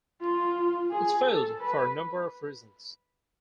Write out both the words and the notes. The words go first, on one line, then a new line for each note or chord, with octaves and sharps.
It failed for a number of reasons.
F4
G#4
A4
B4